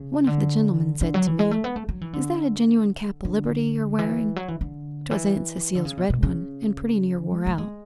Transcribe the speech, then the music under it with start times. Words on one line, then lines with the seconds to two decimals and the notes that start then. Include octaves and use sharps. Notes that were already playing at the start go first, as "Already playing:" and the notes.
One of the gentlemen said to me, "Is that a genuine cap o' Liberty you're wearing?" 'Twas Aunt Cecile's red one, and pretty near wore out.
Already playing: C#3
0.27 D3
1.01 D3
1.14 F#3
1.27 E3
1.39 G#3
1.51 A3
1.64 B3
1.76 A3
1.89 F#3
2.01 E3
2.13 D3
3.25 D3
3.99 E3
4.36 F#3
4.48 E3
4.61 D3
5.11 E3
5.75 D3
5.85 C#3
5.98 B2
6.10 B2
6.23 C#3
7.34 A3
7.46 A3
7.58 G#3